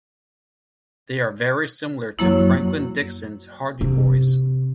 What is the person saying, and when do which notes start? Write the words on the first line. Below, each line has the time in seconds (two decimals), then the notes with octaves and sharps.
They are very similar to Franklin Dixon's Hardy Boys.
2.19 F#2 F#3 A#3 E4
3.81 C3